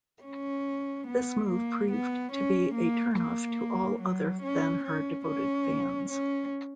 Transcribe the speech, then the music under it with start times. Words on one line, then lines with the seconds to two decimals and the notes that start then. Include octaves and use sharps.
This move proved to be a turn-off to all other than her devoted fans.
0.24 C#4
1.08 B3
1.50 A#3
1.92 B3
2.33 C#4
2.75 A#3
3.16 A#3
4.01 F#3
4.42 C#4
4.84 C#4
5.26 C#4
6.10 C#4